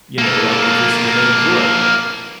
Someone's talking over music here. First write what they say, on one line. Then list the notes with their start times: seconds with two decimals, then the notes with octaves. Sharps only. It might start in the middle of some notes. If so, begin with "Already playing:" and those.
you know, like, if this Renee Good,
0.18 A#3 A4